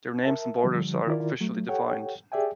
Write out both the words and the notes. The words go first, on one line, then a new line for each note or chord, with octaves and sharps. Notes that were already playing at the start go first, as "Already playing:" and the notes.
Their names and borders are officially defined.
A#4 E5 A5
D3 F3 G3
D#3 E4 F4 A#4 D5
F#3 A3
G4 A4 C#5 F#5 G5
G4 G#4 D5 E5 G5 G#5